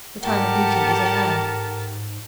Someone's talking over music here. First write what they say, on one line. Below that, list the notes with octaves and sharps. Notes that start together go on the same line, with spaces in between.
The time of meeting is at hand.
G#2 G4 A4 A#4 F#5 A5